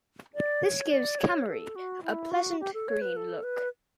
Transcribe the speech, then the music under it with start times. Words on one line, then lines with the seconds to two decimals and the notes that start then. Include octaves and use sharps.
This gives Cammeray a pleasant green look.
0.35 D5
0.63 C#5
0.91 D5
1.19 C#5
1.47 A4
1.76 F#4
2.03 E4
2.31 F#4
2.60 G4
2.74 A4
2.88 C#5
3.01 B4
3.16 A4
3.43 B4